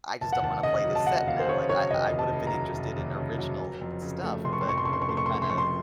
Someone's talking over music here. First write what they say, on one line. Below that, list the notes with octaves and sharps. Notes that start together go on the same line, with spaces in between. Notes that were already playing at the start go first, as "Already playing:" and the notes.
"I just don't wanna play this set now." Like, I I would've been interested in original stuff, but you've kinda
F1 A5
F#5
D#2 A5
C#3 D#5
F#3
A5
F1 F#5
D#2 F5
C5
C#3 C#5
F#3 C#5
F1 D#5
D#2
A5
C#3
A#5
F#3
F1
D#2
C#3
F#3
F1
F2
C#3
A3
F1 C6
C#6
C6
F2 C#6
C6
C#3 C#6
C6
C#6
A3 C6
C#6
C6
F1 C#6
C6
F2 C#6
C6